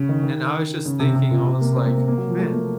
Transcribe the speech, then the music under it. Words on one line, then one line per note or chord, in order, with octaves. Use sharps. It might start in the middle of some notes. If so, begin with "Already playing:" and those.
and I was just thinking, I was like, "Man"
Already playing: C#3
D#3
D#3
C#3
C3
C3
A#2
C3
A#3
C4
A#3
A#3
A#3
F#3
F3
A3
A#3